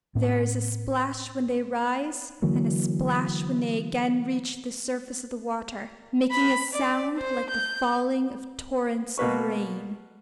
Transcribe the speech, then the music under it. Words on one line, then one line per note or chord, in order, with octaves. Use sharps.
There is a splash when they rise, and a splash when they again reach the surface of the water; making a sound like the falling of torrents of rain.
A2 C4
D3 E3 F#3 A#3
B5
D5
C5
G6
B2 A#3 B4 C#6